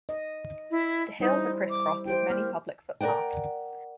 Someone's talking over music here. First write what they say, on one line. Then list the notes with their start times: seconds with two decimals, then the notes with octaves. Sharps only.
The hills are criss-crossed with many public footpaths.
0.09 D#5
0.71 E4
1.20 G3 D#4 E4 C5
1.70 D6
2.06 E4 G4 C5 G5
2.30 A#3 F6
3.01 A#4 B4 D5 F#5 G5